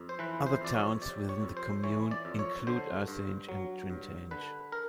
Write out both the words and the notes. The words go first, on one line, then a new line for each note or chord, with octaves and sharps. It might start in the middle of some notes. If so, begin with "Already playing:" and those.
Other towns within the commune include Ersange and Trintange.
Already playing: F2
C5
E3 B4
C5
F2 D5
C#5
C3 D5
C#5
F2
C5
E3 C#5
D5
F2
C#5
D3 C5
G2
F#3
G2
D3 B4
A#4